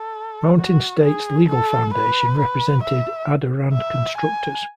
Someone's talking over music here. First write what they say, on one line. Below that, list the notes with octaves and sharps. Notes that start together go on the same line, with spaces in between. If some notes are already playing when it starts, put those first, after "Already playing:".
Mountain States Legal Foundation represented Adarand Constructors.
Already playing: A4
F#4
G#4
A4
B4
B4
E5
E5
G#5